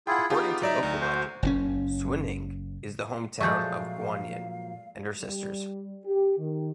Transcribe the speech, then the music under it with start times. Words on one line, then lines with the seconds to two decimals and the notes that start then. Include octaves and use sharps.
According to local legend, Suining is the Hometown of Guanyin and her sisters.
0.07 E4 F4 G#4 F#5 G5
0.30 B3 D#4 F4 G4 G#4
0.62 F#3 D#4 D5 E5 A#5
0.83 D2
1.01 F#4 C5
1.43 F#1 A#2 C#4
3.41 A#2 F3 F#3 G#3 A3 F5 C#6 G6
5.17 G3
6.05 G4
6.38 D#3